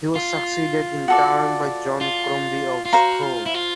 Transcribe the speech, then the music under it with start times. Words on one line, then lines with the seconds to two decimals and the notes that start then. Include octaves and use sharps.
He was succeeded in turn by John Crombie of Scone.
0.15 F4
1.08 F#4 A4 D5
2.01 F4
2.85 F4
2.93 F#4 C5 F5 A#5
3.23 F4
3.46 E4
3.54 F4